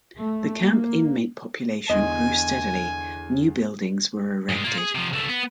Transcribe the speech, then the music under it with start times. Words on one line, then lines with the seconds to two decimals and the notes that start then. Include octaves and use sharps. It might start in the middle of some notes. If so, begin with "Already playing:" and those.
The camp inmate population grew steadily, new buildings were erected.
0.20 A3
0.60 A#3
1.89 E2 D3 D#5 G#5 C6
4.49 G2 G#3
4.64 A#3 F4
4.78 G#4
4.95 C3 F3
5.13 C#2 A3
5.29 B3